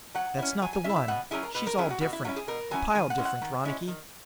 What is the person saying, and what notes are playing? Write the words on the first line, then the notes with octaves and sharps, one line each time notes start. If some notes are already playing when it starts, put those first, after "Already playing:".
"That's not the one. She's all different, a pile different, Ronicky."
F#3 F#5
C#4 E4
F#3 G#5
G#5
C#4 E5
E4
E5
B2 F#5
F#3 C#4 E4 G#4
A#4
B2 B4
A#4
F#3 C#4 E4 G#4
F#4
B2 F#4
E4
F#3 C#4 E4 F#4
G#4
B2 A#4
F#3 C#4 E4 G#5
D#3 G#5
F#5
G#3 C#4 E4
F#5
D#3
G#3 C#4 E4
D#3